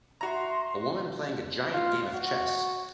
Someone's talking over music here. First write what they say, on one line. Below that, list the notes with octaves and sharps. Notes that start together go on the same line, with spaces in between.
A woman playing a giant game of chess.
F#4 E5 A#5 C6
F4
F#4